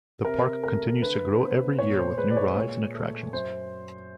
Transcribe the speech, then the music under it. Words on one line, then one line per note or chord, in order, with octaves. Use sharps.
The park continues to grow every year with new rides and attractions.
C3 A#4
A3 A#4
D3 B4
B3 C5
A#2 C#5
C5
C5
G#3 B4
D5
C#5
A#2
A3
F#2 C5